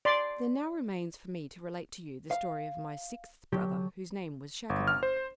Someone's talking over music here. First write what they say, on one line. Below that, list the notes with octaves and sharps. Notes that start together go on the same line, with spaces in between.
There now remains for me to relate to you the story of my sixth brother, whose name was Schacabac.
D5 C6
F5
D3 F#3 G4
G1
F6
C5